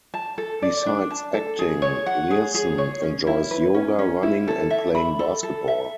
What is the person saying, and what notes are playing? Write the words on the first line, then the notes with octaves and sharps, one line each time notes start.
Besides acting, Leerhsen enjoys yoga, running, and playing basketball.
A5
A4
D5
D4
A5
A4
G#4
C#5
F#5
G#4
G#4
C#5
C#4
E4
B4
C#4
C#4
E4
A4
E5
B5
A4
A4
E5